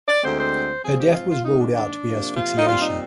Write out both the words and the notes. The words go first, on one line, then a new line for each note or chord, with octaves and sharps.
Her death was ruled to be from asphyxiation.
D5
D2 D3 G#3 C4 C5
C5
G#2 F3 C4 G#4
G4
D#4
F4
F4
G#2 D#3 A#3 D#4
D4
D4
C3 F3 A#3
F4
D#4
A#2 G3 C4 F4
D#4